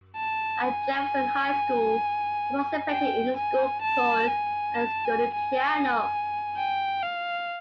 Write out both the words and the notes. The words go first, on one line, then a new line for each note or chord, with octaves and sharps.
At Jefferson High School, he participated in the school chorus and studied piano.
A5
G#5
G5
G#5
A5
G#5
A5
G#5
G#5
G5
F5